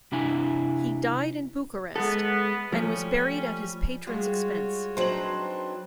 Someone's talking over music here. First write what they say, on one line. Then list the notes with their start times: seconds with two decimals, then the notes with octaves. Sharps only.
He died in Bucharest, and was buried at his patron's expense.
0.12 C3 D4 E4 G#5
1.96 G#3 B3 A4
2.72 F3 G3 A3 C#4
4.07 G3 G#3 F4 F#4 G#4 C#5
4.97 F#3 C4 D4 D#4 B4 C5 F#7